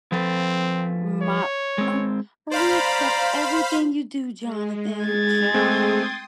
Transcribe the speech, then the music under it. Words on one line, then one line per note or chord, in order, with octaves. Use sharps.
My "Oh oh, we accept everything you do, Jonathan." Child,
F3 C4 A4 B4
C#5
G#3 C4
C5 D5 F5 A#5 B5
G#3
G#4 G#6 A6
G#3 A3 C4 G#4 G5 C6 D#6